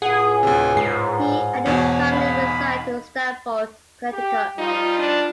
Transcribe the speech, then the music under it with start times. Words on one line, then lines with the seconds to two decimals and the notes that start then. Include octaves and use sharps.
He and his family reside in Stamford, Connecticut.
0.02 C#2 A2 G#4 F#5
0.43 D2 C3
0.77 G#2 C7
1.66 E2 B2 C#5
2.12 D#4 F5 B5
4.12 G4
4.58 F3 G3 D#4 F4
4.99 D4